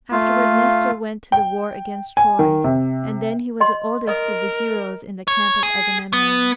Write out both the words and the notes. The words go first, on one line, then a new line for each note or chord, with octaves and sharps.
Afterward Nestor went to the war against Troy, and then he was the oldest of the heroes in the camp of Agamemnon.
A3 F4 F5
G5
G#5
D#3
C3
D#5 C6
A#4 D#5 D#6
C#5
G#4
B3